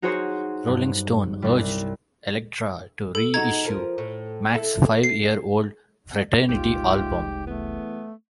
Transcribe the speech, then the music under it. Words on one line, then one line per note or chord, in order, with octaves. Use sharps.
"Rolling Stone" urged Elektra to reissue Mack's five-year-old Fraternity album.
D#4 F#4 G#4 C5 C#5
G2
C2 G3
A4
G#3 D#4 F#4 A#5 G#6
F3 A#4
A2
E4 A4
C7
F1 C2 G#2 F4 G4
E2 A3 B3